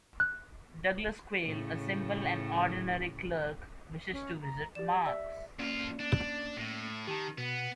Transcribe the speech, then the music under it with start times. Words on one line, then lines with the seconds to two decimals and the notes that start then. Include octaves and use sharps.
Douglas Quail, a simple and ordinary clerk, wishes to visit Mars.
0.20 F#6
1.45 A2 C#3
4.12 C#4
4.42 A#5
4.75 G4 D5 E7
5.06 D5 E5 E6
5.59 F2 A#3 C#4 F4 D5
5.99 D4
6.57 A2
7.07 D#3 G4 A5
7.38 B2 B3